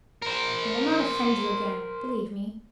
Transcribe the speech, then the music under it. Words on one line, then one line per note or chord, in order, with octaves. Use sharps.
I will not offend you again, believe me.
A#4 C5